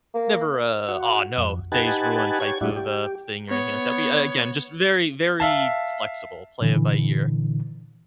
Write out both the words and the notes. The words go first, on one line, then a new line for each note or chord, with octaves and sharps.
never a, "Aw, no, day's ruined," type of, uh, thing or anything like that, but again, just very, very flexible, play it by ear.
A#3
F#4
F2
D#4 G4 B4 F#5 G#5 A5
G4 C#5 G#6
A2 G3 D4 E4 F#4
G4
B3 C#5
E5 F5 A5
A#2 D3 E3